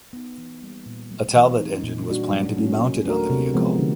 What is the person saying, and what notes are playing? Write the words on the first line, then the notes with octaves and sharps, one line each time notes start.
A Talbot engine was planned to be mounted on the vehicle.
B3 D#4
E3
G3 A#3
A#2
F#3 A3 C4
E3
A3 C4 D#4
A#2
G3 A#3 D4 F#4
F#3
A#3 C#4
F#3
A3 D4 F#4 A#4
C3
F3 G#3 B3
D3